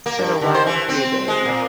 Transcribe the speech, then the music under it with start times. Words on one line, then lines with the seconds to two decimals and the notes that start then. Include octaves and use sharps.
it's been a wild few days.
0.06 A#3
0.19 G2
0.41 D3
0.54 C5
0.67 E3
0.89 C4
1.28 G#3
1.45 A#2